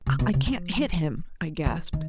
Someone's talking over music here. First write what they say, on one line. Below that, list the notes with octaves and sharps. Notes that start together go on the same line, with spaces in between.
"I can't hit him," I gasped.
C3
B2
C3
F3
E3
D#3